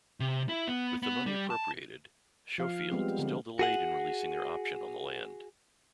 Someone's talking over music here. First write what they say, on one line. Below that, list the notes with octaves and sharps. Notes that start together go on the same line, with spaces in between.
With the money appropriated, Schofield still delayed in releasing their option on the land.
C3
E4
B3
B3
G3
A5
F3 F5
F3 G3 G#3 B3 C4
D3 C4
F#4 G#4 F#5